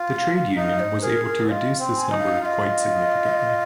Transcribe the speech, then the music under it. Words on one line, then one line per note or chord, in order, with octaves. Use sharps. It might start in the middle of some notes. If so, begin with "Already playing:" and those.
The trade union was able to reduce this number quite significantly.
Already playing: F4
F5
F5
D#4 F5
C5
G#4 A#4
A#4
F4 D#5
C4
G#5
D#4
F5
F4 D#5 F5